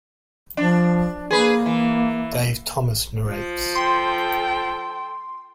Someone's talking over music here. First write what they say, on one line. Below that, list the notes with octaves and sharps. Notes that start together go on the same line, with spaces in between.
Dave Thomas narrates.
F3 D4
A#3 G#4 B4
E3
F3
A4 G5 C6